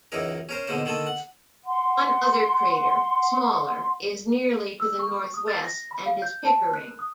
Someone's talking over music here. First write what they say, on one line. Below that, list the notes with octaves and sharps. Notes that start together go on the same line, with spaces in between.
One other crater, smaller is nearly to the northwest and is Pickering.
C#2 F#2 E3 D#4 A#4
C#4 A#4 C5
G#2 B2 D3 A#3 C5
D3 D#3 A#3 A4
F#5
F#5 C6
E6
C#6
D#6
A6
A#6
B5
F5
G6
A5
F#6
D#6